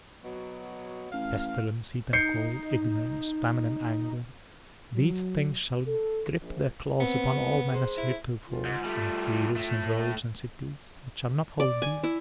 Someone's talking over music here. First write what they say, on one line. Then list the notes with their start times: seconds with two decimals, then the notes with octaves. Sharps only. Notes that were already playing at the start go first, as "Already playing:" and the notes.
Pestilence, heat and cold, ignorance, famine and anger, these things shall grip their claws upon all men as heretofore in fields and roads and cities but shall not hold thee.
0.24 B2 F#3
1.12 A1 F5
2.13 D#4 G6 C7 C#7
4.95 F#3
5.87 A4
6.41 A#1
7.00 B3 C4
7.72 G#4 C5
7.98 E4
8.47 F4
8.65 G#2
8.84 G3 A3
9.56 A2 A3
11.60 D5
11.82 G#5
12.04 E4